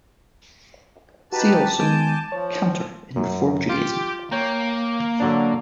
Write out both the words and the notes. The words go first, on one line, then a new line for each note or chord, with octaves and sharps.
See also: Cantor in Reform Judaism.
D#4 F#4 G4 B4 A5
D#3 G#3 B3 G#5 D6 G6
F3 C#5
F#2
F4 G4
A#3 C#5 G5 A#5
D3 F#3 D4